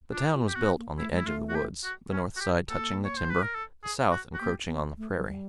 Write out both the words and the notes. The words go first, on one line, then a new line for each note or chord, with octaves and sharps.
The town was built on the edge of the woods, the north side touching the timber, the south encroaching on the prairie.
D4 F4
F4
G4
B3 F#4
A#3
A3 E4
G#3
E4
A3 F4
F#4
G4
F#4
C#4
F#4
G4
A#3 A4
C#5
C5
B4
A#4
A4
G#4
F#4
F#4
A#3 G4
B3
A3
F#3
G3